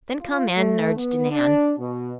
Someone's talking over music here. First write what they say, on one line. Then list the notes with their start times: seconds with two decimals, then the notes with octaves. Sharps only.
"Then come in," urged Nan.
0.21 F4
0.57 A3
0.96 B3
1.30 D4
1.79 B2